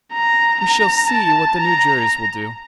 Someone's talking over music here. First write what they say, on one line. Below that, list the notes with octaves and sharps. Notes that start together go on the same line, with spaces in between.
We shall see what the new juries will do.
A#5
A#5
A5
A#5